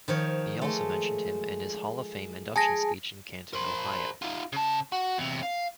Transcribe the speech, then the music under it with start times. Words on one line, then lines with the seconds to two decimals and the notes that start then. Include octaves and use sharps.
He also mentioned him in his hall of fame induction speech in Canton, Ohio.
0.08 D#3 F3 C#5
0.61 G#3 A3
2.56 G#4 G#5 A5 A#6
3.53 A#4 C5
4.22 D#4 F4
4.52 C#3 A5
4.92 F#4
5.18 E2 C3
5.43 F5